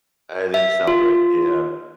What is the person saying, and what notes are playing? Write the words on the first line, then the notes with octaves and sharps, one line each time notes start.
I didn't celebrate, yeah.
E5
F4